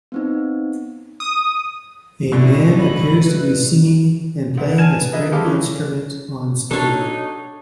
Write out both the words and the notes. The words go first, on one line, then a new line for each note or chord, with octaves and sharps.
A man appears to be singing and playing a string instrument on stage.
B3 C4 D#4
D#6
G#2 B2 D3 A3 D#4 E4 D5 C#6
B5
B4
D2 B3
G#5 A5 F6 G#6 D#7 E7
B3
A#3 D4 B4 D#5 E5
G3 G#3 G4 A4 F5 D6
E3 C#4
F#3 D4 D#4 A4 C#5